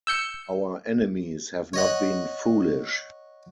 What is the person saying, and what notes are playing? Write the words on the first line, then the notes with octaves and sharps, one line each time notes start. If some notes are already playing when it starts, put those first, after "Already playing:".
Our enemies have not been foolish!
E6 G6 C#7
C#5 D#5 F#5